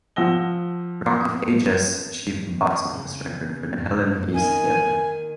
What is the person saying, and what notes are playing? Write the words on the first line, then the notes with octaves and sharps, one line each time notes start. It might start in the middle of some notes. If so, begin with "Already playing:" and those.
"Rock of Ages" achieved the box-office record for the Helen Hayes Theatre.
F3 F#5 E6 A#6 G7
C#3
D#3 A#3 D#4 G#5